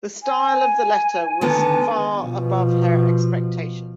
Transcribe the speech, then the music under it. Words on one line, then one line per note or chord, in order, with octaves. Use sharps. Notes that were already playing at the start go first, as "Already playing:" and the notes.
The style of the letter was far above her expectation.
G#5
D3 D#3 B3
B2 F3